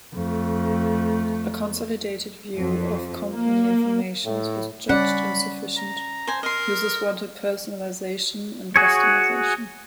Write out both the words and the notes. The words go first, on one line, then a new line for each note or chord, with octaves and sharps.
A consolidated view of company information was judged insufficient; users wanted personalization and customization.
F2 A3
F2
A#3
A2
G3 C#4 D5 F#5 B5
A#5
C5 G#5
A#4 D#5 C6
F#4 G#4 C#5